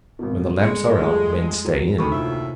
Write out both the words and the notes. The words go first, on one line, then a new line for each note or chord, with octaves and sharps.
When the lamps are out men stay in.
G#1 B2
G1 G#3 C#7
F2 F3 G3 A3 G#4
F#3
D2 C3 D#4 B5 C#6
D#2 A2 C3 F4 E5